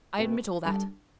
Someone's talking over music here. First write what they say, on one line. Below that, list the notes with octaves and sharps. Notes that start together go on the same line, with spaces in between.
I admit all that.
B2 A3 C4
G3 D4 A4 D5